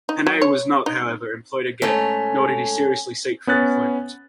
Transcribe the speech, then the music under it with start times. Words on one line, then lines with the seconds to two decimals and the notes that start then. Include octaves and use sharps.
Hannay was not, however, employed again, nor did he seriously seek for employment.
0.09 D#4
0.27 F#3
0.42 C#5
0.86 D#4
1.82 G#2 A3 C#4
3.47 B3 C#4 F#6 A6